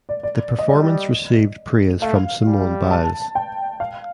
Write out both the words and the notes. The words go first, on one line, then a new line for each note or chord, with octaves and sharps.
The performance received praise from Simone Biles.
D5
D5
D#5
G3 D5
A3 F5
G3
A5
G5
F5